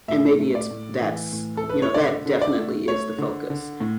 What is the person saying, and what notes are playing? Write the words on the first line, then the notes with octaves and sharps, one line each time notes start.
and maybe it's that's, you know, that definitely is the focus,
A2 E5
A3
D5
A2
E3
A2
A4
A3
B4
C#5
D3 D5
D3
D5
A3
A3 C#5
D3
D3
A2